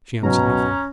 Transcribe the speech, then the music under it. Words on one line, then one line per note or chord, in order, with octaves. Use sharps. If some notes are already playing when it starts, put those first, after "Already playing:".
She answered nothing.
C#2 G#2 B2 F#3 C#4 A#5